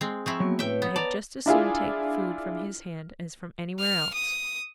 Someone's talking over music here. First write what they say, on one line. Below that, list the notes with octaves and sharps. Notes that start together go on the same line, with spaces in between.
I had just as soon take food from his hand as from anywhere else.
G#3 C4
F3 C4 E4 C#6
F#3 A#3 B3 F#4
A2 B4 C#5 E5 G5
B3
D5 A5 A#5
D4 E4 F4 G#4
F6
D#6